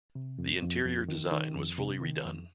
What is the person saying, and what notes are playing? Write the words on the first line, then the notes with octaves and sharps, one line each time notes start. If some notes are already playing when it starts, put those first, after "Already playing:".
The interior design was fully re-done.
C3
F2
F2
F2
D#3
D#3
F2
C3
D#3
F2